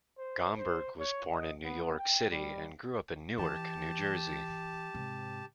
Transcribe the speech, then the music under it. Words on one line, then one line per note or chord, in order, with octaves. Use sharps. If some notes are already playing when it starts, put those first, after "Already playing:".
Gomberg was born in New York City, and grew up in Newark, New Jersey.
C5
C5
C#5
D#5
B3
G5
G3
E3 G4 A5
G#2 C3